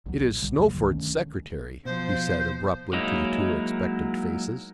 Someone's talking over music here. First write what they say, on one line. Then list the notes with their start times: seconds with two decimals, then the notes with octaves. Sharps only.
"It is Snowford's secretary," he said abruptly to the two expectant faces.
0.06 A#1 D#2 D3 F#3
0.25 A#2
0.42 B1 D3 G3
0.58 E2 C3 F#3 A#3
0.75 C2 G2 D#3
0.90 D3 D#3 A3 C#4
1.85 B2 F3 C5
2.93 F#3 G#3 A#3 D#4 E4